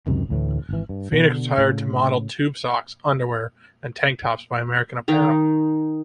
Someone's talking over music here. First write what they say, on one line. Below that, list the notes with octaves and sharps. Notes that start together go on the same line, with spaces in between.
Phoenix was hired to model tube socks, underwear, and tank tops by American Apparel.
C#2 F#2 C3 D#3
D2 A2 E3
G#1 E3
G2
B2 D3
A2 C#3
D#3 D#4 A#5